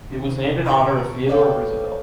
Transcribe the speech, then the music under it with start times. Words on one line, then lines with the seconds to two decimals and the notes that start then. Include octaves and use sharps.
It was named in honor of Theodore Roosevelt.
0.09 G#1 C3 D#3 C4
0.64 A#1 B4 A5 A#5 C#6 D7
1.28 A4 B4 C#5 D5 F5 G5